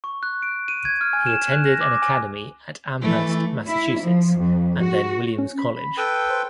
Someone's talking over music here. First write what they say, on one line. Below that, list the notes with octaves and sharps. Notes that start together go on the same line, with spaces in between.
He attended an academy at Amherst, Massachusetts, and then Williams College.
C#6
F#6
D7
D#7
G#6
F6
G#5
E7
F#6
A#6
D6
G#5
E3 A3
E4
F3
F2
F#4
C#4
B5
B5
A4 B4 G5 D#6
C5